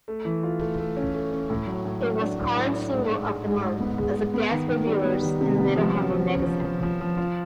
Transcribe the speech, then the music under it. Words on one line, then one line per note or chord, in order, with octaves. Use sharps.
It was Korn's "Single of The Month" as guest reviewers in Metal Hammer magazine.
A3
E3
F4
A3
A3
C#4
A3
C#4
A2
F#3
A2
F#3
D4
A2
A2
D4
G#2
G#2
G#3
G#2
G#3
B3
G#3
G#3
B3
D#3
D#3
G3
B3
D#3
C3
B3
F3
C#4
F3
C#4
F3
F3
F3
F3
F4